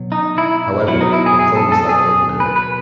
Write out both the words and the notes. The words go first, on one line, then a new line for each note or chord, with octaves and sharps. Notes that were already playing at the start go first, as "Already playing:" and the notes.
However, the film is left open-ended.
Already playing: B2 F#3
D#4
E4
B2 F#3 E4
D#4
E4
G#4
G#4
A4
A4
G#4
B4
B4